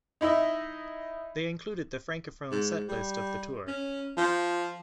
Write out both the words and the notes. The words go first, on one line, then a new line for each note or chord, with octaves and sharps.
They included the Francophone setlist of the tour.
D#4 E4 D#5 E5
G#2
G3
C#4
F3